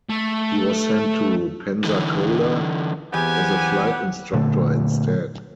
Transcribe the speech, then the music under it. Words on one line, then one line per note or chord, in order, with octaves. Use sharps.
He was sent to Pensacola as a flight instructor instead.
A3
D3 E3
E2 B3 C4 G4 F#5 G#5
A#2 D3 A3